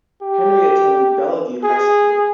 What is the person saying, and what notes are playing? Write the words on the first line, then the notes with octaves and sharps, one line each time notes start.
Henry attended Bellevue High School.
G4
G#4